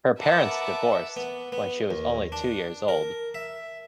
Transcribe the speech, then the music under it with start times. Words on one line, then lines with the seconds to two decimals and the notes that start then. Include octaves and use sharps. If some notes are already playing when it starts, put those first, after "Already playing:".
Her parents divorced when she was only two years old.
0.19 A#4 B4 E5 F#5 A5 D6
1.17 B3
1.52 B3
1.91 D#2
2.32 D4
2.88 A#4
3.34 E5